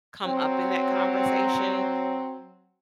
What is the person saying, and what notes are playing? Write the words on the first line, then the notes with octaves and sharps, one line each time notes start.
come up in that conversation,
F#3 C4